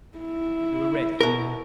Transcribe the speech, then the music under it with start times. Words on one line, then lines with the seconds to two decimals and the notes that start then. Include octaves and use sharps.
We were ready.
0.18 E4
1.21 B2 A#4